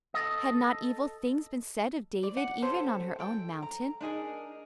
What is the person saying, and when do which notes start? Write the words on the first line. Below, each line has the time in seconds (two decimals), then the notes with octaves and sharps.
Had not evil things been said of David even on her own mountain?
0.14 A4 D#5
2.23 D5
2.37 F#5
2.62 C#4 G4 A4 C5
3.19 A4 G5
3.62 A#5
4.01 D4 D#4 G#4 A#4